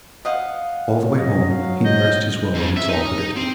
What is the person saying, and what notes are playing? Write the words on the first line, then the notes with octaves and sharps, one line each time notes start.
All the way home he nursed his woe and exalted it.
D#5 F5 F#5
F#3 D#5
F5
D#5 G6
F2
E5
D#4
C4